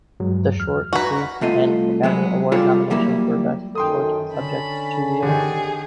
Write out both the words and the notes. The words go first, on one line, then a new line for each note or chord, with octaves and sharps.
The short received an Academy Award nomination for Best Short Subject, Two-reel.
G2 F#3 G#3
E2 F6
F#4 B4 F#5 A#5
C2 A3 F4 D#5
F#3 G#3 B3
G3 F4 G#4 A4 C#5 D5
F#3 G3 A#3 E4
F#2 D#3 A4 G5 C6 D#6
D3 C#4 A5 B5
D3 D#3 G4 G#4